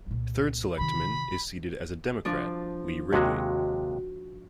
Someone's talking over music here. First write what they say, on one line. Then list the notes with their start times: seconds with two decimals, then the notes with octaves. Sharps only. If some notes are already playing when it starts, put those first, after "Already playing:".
Third Selectman is seated as a Democrat, Lee Wrigley.
0.06 C2 A#2
0.78 C3 D#3 B5
2.25 F3 D4
3.13 D#2 C3 G#3 F#4